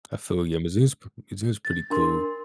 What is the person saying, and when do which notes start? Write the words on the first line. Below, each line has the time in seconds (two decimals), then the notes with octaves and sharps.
I feel ya. It is it is pretty cool.
1.65 A6
1.90 D4 A#4 C6